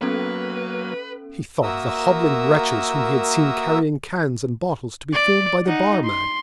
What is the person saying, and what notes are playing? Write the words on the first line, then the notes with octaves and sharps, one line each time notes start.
He thought of the hobbling wretches whom he had seen carrying cans and bottles to be filled by the barman.
F#3 A#3 B3 C#4 A4 B4
A#3 F#4 A#4 E5 D#6 E6
D5
D#4 F#5
C6